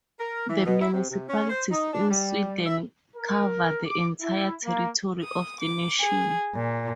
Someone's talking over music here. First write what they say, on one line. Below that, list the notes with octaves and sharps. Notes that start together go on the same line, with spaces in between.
The municipalities in Sweden cover the entire territory of the nation.
A#4
E3
B2
E4
C3
C3
C#4
C5
D#4
D4
G3
E5
A#4
D6
E4
A#3
D#6
D6
G#4
A#2